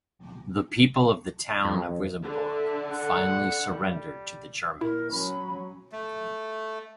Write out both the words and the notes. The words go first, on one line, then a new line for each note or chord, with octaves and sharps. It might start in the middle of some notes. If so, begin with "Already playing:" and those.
The people of the town of Wissembourg finally surrendered to the Germans.
F2
D3
E5
F#5
G3
A#2 E4 A#4
F#3 C#4 B5
A3